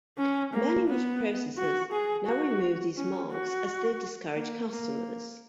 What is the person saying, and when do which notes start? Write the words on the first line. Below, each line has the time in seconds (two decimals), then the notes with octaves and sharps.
Many meat processors now remove these marks as they discourage customers.
0.18 C#4
0.54 A#3
0.88 B3
1.58 F#4
1.92 G#4
2.27 F#4
2.97 C#4
3.31 F#4
4.35 A#3
4.70 A#3